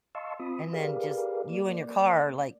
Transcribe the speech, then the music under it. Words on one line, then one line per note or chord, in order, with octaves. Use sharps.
and then, just, you and your car are, like,
D#5 F5 A5 C6 C#6 E6
C4 F4 B5 D#6
G4 G#4 A#4 B4 D5 F5
A#3 D5